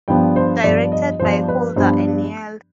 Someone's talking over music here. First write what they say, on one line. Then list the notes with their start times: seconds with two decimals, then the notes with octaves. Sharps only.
Directed by Holder and Neal.
0.08 G2 F3 B3 D4 G5
0.36 C5
0.64 G2 F3 B3 D4 D5
0.92 D#5
1.20 G2 F3 B3 D4 C5
1.48 B4
1.76 G2 F3 B3 D4 C5